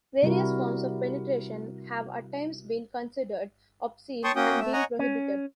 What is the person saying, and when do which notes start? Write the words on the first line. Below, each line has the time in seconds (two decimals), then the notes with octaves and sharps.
Various forms of penetration have at times been considered obscene and been prohibited.
0.23 C3 G3 E4 F#4 A#4
4.24 C#5 G5 A5 C6 C#6 D#6
4.36 A#3 C#4 F#4 G5 D#6
4.60 A3 E5
4.73 C#5 D#5 F#5 G#5 A#5
4.99 C#4